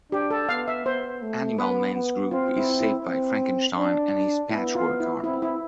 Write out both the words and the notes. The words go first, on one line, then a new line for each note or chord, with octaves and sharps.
Animal Man's group is saved by Frankenstein and his Patchwork Army.
D4 G4
A4
B3 F5
E5
B3 C5
A3
B3 B4
B3
C4 F4
E4
E4
C4
D4
B3 E4
F4
E4
C4 E4
E4